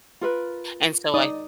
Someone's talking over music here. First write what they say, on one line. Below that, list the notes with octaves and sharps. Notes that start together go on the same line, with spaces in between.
And so I
F4 A#4 B4
D#4 D5 D#6